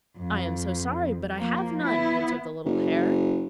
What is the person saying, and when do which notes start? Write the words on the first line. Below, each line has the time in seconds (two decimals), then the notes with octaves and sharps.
'I am so sorry, but I have none,' answered the little hare.
0.17 F2
1.34 F3 A#3
1.83 B3 E4
2.65 F#1